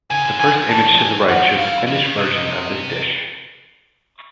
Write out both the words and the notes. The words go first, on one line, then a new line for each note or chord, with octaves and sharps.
The first image to the right shows a Finnish version of this dish.
C#3 G#5
D3
F#3 G#5
F3
D#3
E3 A5
F3
E3 G#5
D#3 F#5
D#3
E3 F5
F3
E3
D#3
C3 D#5
D#5